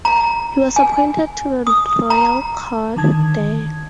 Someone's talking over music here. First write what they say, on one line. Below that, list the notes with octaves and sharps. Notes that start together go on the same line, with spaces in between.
He was appointed to the royal court there.
A#5
G#5
D#6
A#5
D3 D#3 A5 G#6